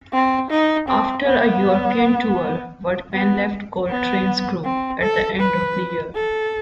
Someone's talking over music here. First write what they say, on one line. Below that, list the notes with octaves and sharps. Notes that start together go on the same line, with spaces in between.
After a European tour, Workman left Coltrane's group at the end of the year.
C4
D#4
C4
B3
B3
B3
C4
A4
B4
A4